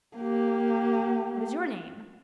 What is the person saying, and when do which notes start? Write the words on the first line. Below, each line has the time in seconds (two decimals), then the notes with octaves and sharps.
"What is your name?"
0.17 A#3 G4